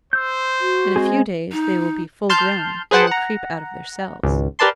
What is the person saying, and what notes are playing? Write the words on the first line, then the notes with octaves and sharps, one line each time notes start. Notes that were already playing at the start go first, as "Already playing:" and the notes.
In a few days they will be full grown, and will creep out of their cells.
C5 E6 G6
F#4
G#3 C4 G#4
D#4
A5 C6 F6 G6
G#4 B4 C5 F#5 G5 A5
F#5 A#5
G#1 C#2
G4 A#4 B4 D5 A5 C6